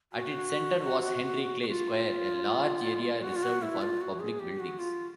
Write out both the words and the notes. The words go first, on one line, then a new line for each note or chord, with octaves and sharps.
At its center was Henry Clay Square, a large area reserved for public buildings.
F#4
F#4
F4
F#4
F4
F#4
E4
F4
F#4
G#4
G4
F#4
F4